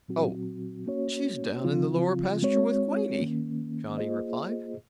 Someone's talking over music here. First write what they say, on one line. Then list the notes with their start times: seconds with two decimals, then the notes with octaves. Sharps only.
"Oh, she's down in the lower pasture with Queenie," Johnny replied.
0.08 A#2 F#3 C4 F#4
0.86 A#3 C#4 F#4 C#5
1.64 C#3 F3 C4 F4
2.42 G#3 C4 F#4 C#5
3.20 D#3 A#3 C#4
3.98 A#3 F4 G#4 C5 D#5